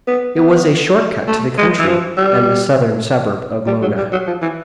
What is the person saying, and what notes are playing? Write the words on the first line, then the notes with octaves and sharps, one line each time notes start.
It was a short cut to the country and the southern suburb of Mona.
B3
B3
A3
G#3
E3
F3
G3
G3
F#3
G3
F#3
F3
E3